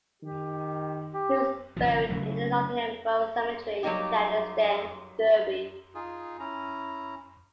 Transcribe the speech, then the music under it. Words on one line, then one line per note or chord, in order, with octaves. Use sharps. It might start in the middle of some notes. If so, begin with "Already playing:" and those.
He was buried in the Nottingham Road Cemetery, Chaddesden, Derby.
D#3 G4
G4
G#1 C#3 F3
C#3 F#3 A3
F#3 G3 A#3 D#4 G4
D#4 F4 G#4
C#4 E4 A#5